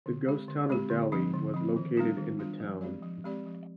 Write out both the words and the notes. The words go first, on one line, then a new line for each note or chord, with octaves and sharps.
The ghost town of Delhi was located in the town.
D3
G#3 C4 G4
D3
G#3 C4 G4
D3
F3 C4
D3
F3 C4
D#3
G3 B3 D4 F4
D#3
G3 B3 D4 F4
F3
G#3 C4 G4 D5
F3
G#3 C4 G4 D5
F3